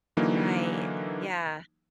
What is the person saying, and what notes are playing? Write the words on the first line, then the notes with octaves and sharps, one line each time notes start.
Right. Yeah.
D3 E3 F#3 A#3 D#4